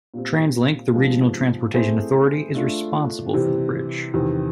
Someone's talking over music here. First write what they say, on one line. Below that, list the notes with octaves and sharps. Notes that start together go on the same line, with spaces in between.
TransLink, the regional transportation authority, is responsible for the bridge.
A#2 G3 C4
C3 F3 G#3 B3 D#4
A3 C4 E4 G#4 C5
A3 D4 F4
C3 E3 G3
E2 C3 D#3